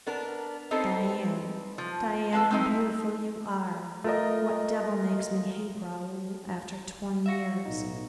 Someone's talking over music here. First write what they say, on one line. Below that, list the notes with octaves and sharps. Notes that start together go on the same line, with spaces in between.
Diane, Diane, how beautiful you are!... What devil makes me hate Raoul after twenty years?
B3 D4 A#4
G3 B3 C4 D#4 A4 C5
F3
A4 B4 F5 A5
C4 D#4 E4
A3 F4 A#4 D#5
F#4 E5 F5 A#6 C#7
B1 A2 D#4 D#5